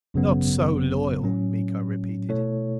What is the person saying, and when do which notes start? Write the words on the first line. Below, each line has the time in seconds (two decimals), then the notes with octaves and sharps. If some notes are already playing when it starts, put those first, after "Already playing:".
"Not so loyal," Miko repeated.
0.14 G#1 F#2 C#3 F#3 B3
1.21 A2 F#3 C#4
2.29 B2 A3 E4 A4 C#5